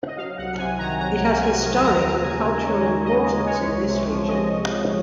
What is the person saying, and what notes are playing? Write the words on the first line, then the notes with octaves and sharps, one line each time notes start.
It has historic and cultural importance in this region.
D#5
F#3 F5
C2 F#5
C3 G#5
D#3 A#5
F#3 A#5
C2
C3 G#5
D#3
G#5
D#2 A#5
D#2
C#3 G#5
G#3
D#2 C#5
D#2
C#3 D#5
G#3
G#3 C#5
C2
C3
F3
G#3 D#5
C2
C3